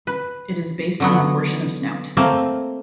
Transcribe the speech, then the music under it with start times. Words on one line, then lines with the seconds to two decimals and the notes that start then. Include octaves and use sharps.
It is based on a portion of snout.
0.07 B4
1.00 D3 F#3 B3
2.17 A3 A#3 C4